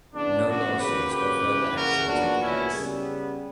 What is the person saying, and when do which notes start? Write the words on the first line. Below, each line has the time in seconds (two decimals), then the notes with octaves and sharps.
No lawsuits or further action took place.
0.14 C#3 E3 B3 D4
0.46 D4 F#4
0.78 C#3 F#3 A#3 C#4 G4 B4
1.10 G4 B4
1.43 C#3 E3 A#3 C#4
1.75 F#4 A#4
2.07 A#2 F#3 B3 D4 F#4
2.40 C#4 E4
2.72 C#3 G3 B3